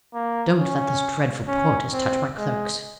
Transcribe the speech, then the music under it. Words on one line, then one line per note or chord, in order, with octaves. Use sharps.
Don't let those dreadful porters touch my cloaks.
A#3
C#4
C#4
C4
G#3